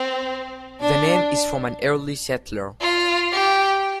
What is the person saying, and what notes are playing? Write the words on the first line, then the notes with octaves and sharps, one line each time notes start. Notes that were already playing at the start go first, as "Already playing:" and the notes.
The name is from an early settler.
Already playing: C4
D4
F4
G4